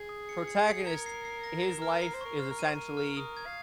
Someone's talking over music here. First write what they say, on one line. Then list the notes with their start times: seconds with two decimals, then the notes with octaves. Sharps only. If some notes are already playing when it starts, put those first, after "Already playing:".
protagonist, his life is essentially
Already playing: G#4
0.09 D#6
0.29 C#7
0.47 C#7
0.68 C#7
0.86 A#4 G#6
1.06 C7
1.25 C7
1.44 A#6
1.63 A#5
1.82 F6
2.02 A#4 C7
2.14 C5
2.21 A#4 C#6
2.39 C5 F6
2.51 A#4
2.59 C5 D#7
2.75 A#4 D#7
2.97 F6
3.16 A#4 D#6
3.37 G#6
3.46 F5